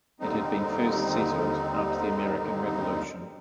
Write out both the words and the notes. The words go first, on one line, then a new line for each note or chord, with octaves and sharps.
It had been first settled after the American Revolution.
D#2 D3 G3 C4 D#4